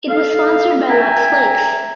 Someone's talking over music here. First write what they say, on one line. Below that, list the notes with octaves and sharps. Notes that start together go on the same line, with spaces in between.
It was sponsored by Lux Flakes.
A4 F5
E5 G5 G#5 A#5